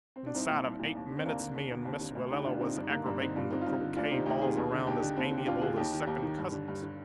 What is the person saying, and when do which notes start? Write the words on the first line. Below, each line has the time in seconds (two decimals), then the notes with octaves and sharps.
Inside of eight minutes me and Miss Willella was aggravating the croquet balls around as amiable as second cousins.
0.16 C4
0.26 D4
0.34 C2 C4 D#4
0.50 A#2
0.66 C2
0.79 A#2
0.95 D#2
1.10 D3
1.17 C4
1.25 D#2 A#3 D4
1.40 D3
1.55 D#2
1.71 D3
1.85 D#2 C4
2.01 D3
2.15 D2
2.30 D3 D#4 G4
2.45 D2 D4 F4
2.60 D3 C4 D#4
2.76 G2 D4
2.83 D#4
2.90 D3 A#3 D4
3.06 G2 A#3 D4
3.20 D3 C4 D#4
3.35 G2 D4 F4
3.51 D3 C4 D#4
3.61 F4
3.66 G2 C4 D#4
3.81 D3
3.96 D2 D4 F4
4.11 C3 D#3 C4 D#4
4.26 D2 D#4 G4
4.41 C3 D#3 F4 G#4
4.56 D#2
4.71 D3
4.86 D#2 D#4 G4
5.01 D3
5.17 D#2 C4
5.31 D3
5.37 G4
5.46 D#2 D4 F4
5.61 D3 F4 G#4
5.77 D#2 D#4 G4
5.93 D#3
6.06 D#2 D#4 G4
6.22 D#3
6.38 G2
6.52 D3
6.68 G2
6.83 D3